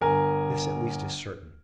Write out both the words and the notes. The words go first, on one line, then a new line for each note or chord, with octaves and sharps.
This at least is certain.
G1 A#4 G#5